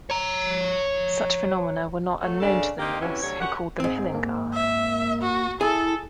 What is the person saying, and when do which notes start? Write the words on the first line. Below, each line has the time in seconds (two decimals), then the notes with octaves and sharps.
Such phenomena were not unknown to the Norse, who called them "hillingar".
0.10 C#5 A#5
2.20 F#3 A3
2.40 C#3 G#3 C#4 D4 A4
2.79 A#3 C4 D#4 G4
3.01 C3 E3 F#3 C#4 E4
3.22 D2 F#3 G3 C#5
3.40 F#2 G4 C#5 F#5
3.80 G#2 C4
4.14 A#3
4.54 E5
5.21 F#4
5.61 E4 G#4 A4